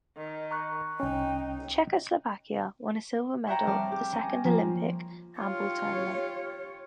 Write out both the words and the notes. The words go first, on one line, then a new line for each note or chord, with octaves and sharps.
Czechoslovakia won a silver medal at the second Olympic handball tournament.
D#3
A#5 C#6 F#6
C2 C#4 D#4 G5
C#5 E5 F#5 G5 A#5 B5
G3 C4 A5 F6
G4
C#4 A#4
F3 A#3 F4
F4 G4 C#5